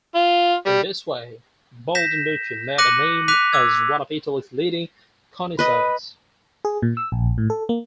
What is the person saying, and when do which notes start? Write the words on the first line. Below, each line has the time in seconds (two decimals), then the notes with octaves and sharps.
In this way Baldinucci made a name as one of Italy's leading connoisseurs.
0.15 F4
0.66 G3
1.95 G6 A#6 B6 E7
2.78 D6 F#6 A#6 C#7 D#7 F#7
3.28 D6 F#6 B6 D#7 F7
3.53 D6 E6 G#6
5.59 B4 D#5 B5
6.65 G#4
6.82 A#2
6.97 E6
7.12 A#1
7.38 A2
7.50 A4
7.69 A#3